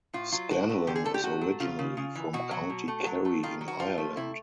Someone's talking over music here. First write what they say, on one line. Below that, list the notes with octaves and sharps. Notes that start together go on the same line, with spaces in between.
Scanlon is originally from County Kerry in Ireland.
A2 F4
F#3 F4
A3 F#4
A3
D3 G4
G#4
A3 A4
G4
A3 F#4
F#3
C#3 F4
C#3
C#3
E3
B2 F#4
F#3
B2
A3
F#3
A3
D#3 F4
F#3
F#4
F3 F4
A3
C3 E4